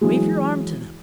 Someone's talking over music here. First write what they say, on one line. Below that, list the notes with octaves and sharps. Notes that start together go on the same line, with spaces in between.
"Wave your arm to them."
E3 F#3 G#3